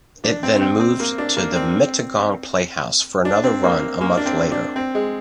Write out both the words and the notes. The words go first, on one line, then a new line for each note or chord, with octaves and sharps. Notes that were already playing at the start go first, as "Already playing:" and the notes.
It then moved to the Mittagong Playhouse for another run a month later.
D4
C4
C4
C4
A#3
D4
A#3
C4
D4
C4
A#3
A#3
D4
C4
D4
C4
G#3